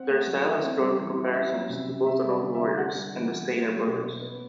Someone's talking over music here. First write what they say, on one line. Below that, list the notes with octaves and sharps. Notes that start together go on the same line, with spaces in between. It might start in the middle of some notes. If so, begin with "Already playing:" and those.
Their style has drawn comparisons to both the Road Warriors and the Steiner Brothers.
Already playing: C4 F#5
A3
F#3
E4
C4
G3
E3
E4
C4 E5
F#3
C3
C3
C4 E5
G3
D5
D3
E5
D3
D4 F#5
G3
E3
E3
A3
F#3
B2
B2
B3